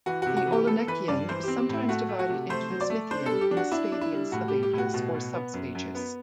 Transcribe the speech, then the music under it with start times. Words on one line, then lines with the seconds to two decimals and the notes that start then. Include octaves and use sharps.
The Olenekian is sometimes divided into the Smithian and the Spathian subages or substages.
0.06 E3 F#4
0.22 C3 F#4
0.37 F#4
0.47 E3
0.53 G4
0.67 B3 A4
0.87 E3 B4
1.08 G2 D5
1.29 E3 C5
1.43 C4 G4
1.58 G4
1.69 A2 E4
1.88 A3 F#4
2.09 A3
2.19 F#4
2.29 C3
2.49 A3 C5
2.70 F#3
2.81 D5
2.90 A3
3.11 D4 C5
3.26 G3 A4
3.41 G4
3.51 D4
3.57 F#4
3.72 D4 E4
3.92 D4
4.01 E4
4.12 G3
4.32 A2 F#4
4.48 G3 G4
4.63 G4
4.73 A2 F#4
4.94 B2
5.14 B2
5.33 B3
5.53 F#2
5.75 F#2
5.95 B3